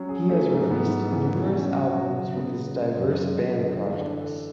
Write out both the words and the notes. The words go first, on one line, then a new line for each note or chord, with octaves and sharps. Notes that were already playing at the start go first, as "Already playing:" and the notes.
He has released numerous albums with his diverse band projects.
Already playing: F#3 C#4
G#4
A3
G#2
B3
G#2
E3
B2
C#4
F#4
F#3
C#3
B3
C#3
G#3
F#2
G#3
F#2
D3
E3
D4
A4